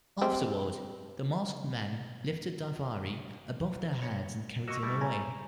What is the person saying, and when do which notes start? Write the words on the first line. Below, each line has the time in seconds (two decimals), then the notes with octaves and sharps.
Afterward, the masked men lifted Daivari above their heads and carried him away.
0.21 G3 G#3 C4
4.02 C#5
4.68 A#3 F#4 D#5 C#6 E6
4.83 G3 A3 E4
5.01 G#5 A#5